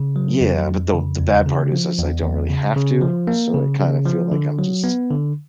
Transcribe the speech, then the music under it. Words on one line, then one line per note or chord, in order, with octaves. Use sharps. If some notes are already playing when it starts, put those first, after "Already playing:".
Yeah, but the the bad part is is I don't really have to, so I kinda feel like I'm just
Already playing: C#3
F#3
F2
F2
C#3
E2
C#3
F3
E2
E2
C#3
C#3
F3
A#3
C#3
C#3
F3
D3
F#3
B3
D3